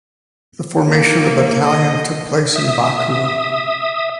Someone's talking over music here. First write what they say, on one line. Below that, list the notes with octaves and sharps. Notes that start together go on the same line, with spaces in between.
The formation of the battalion took place in Baku.
A#3
D#5
E5 D#6